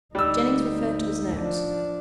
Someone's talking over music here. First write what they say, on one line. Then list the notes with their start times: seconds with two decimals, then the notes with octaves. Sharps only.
Jennings referred to his notes.
0.15 D2 G3 D#4 E6
1.36 F3 D4